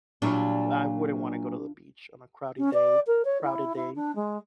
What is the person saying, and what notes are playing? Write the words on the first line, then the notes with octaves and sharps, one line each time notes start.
I wouldn't wanna go to the beach on a crowdy day crowded day,
A#2 F#3 G3 D4 E4 F4
C#4
D5
A#4
C#5
E4
E4
D4
G#3